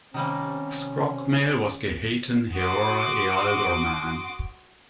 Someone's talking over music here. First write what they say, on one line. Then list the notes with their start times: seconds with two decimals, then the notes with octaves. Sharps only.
Scrocmail was gehaten heora ealdormann.
0.14 C3 D#3 G3 A#3 C#4
2.55 F#4 C6 D6 D#6